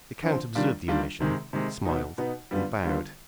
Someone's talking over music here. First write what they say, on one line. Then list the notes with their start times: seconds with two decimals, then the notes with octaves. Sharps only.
The count observed the omission, smiled, and bowed.
0.23 D3 F3 C4
0.55 D#3 G3 D4 F4
0.88 D#3 G3 D4 F4
1.20 C3 D#3 G#3
1.53 C3 D#3 G#3
1.85 B2 B3 D#4
2.18 B2 B3 D#4
2.51 D3 G3 B3 F4
2.84 D3 G3 B3 F4